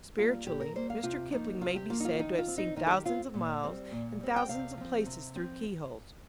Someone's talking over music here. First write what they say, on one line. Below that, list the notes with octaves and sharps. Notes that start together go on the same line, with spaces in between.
Spiritually, Mr. Kipling may be said to have seen thousands of miles and thousands of places through keyholes.
G3 A#3 F4
A#2 G4
A#4
G3 A#3 C5
F5
C3 F4
F3 A#3 D#4
C3 F4
G4
F3 A#3 F4
D#4
F4
D#3 D#4
F4
C4
D#4
D#3 D#4
A#4
G4
C4 F4
A#2
G3 C4
A#2
G3 C4
G5
C3 F5
F3 C4
C3
F3 C4